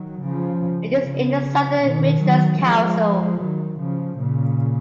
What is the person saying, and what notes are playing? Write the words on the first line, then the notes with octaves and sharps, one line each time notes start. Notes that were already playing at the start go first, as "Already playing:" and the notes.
It is in the Southern Midlands Council.
Already playing: D#3 F#3
C#3 F3
C#3 F3
B2 D#3
D#3 F#3
F3 G#3
D#3 F#3
C#3 F3
A#2 C#3